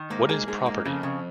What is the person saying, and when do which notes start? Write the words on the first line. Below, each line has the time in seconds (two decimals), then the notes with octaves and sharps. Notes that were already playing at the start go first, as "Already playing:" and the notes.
What Is Property?
Already playing: D#3
0.10 G#2 A#3
0.29 G#4
0.47 G#2 G#4
0.66 A#3
0.85 F2 C#3
1.03 C#3